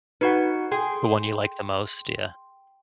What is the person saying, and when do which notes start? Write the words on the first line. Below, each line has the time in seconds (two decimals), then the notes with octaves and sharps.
The one you like the most, yeah.
0.21 D#4 F#4 B4 F#5
0.72 G#4 G5 C6